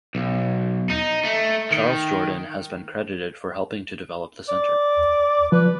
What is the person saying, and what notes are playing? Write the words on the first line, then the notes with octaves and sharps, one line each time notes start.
Charles Jordan has been credited for helping to develop the center.
B1
D#4
A3
D#3
D5
F3 B4